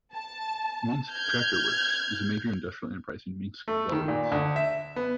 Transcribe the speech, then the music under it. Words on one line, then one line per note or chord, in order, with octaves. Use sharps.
Minsk Tractor Works is a major industrial enterprise in Minsk, Belarus.
A5
F6 G6 G#6
A3
D#3
A#2
D2
E5
B3